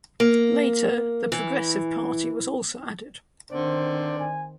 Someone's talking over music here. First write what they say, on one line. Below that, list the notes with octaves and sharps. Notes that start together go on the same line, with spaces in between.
Later the Progressive Party was also added.
A#3
E3
D3 D#3 C4 C5 D5
G#5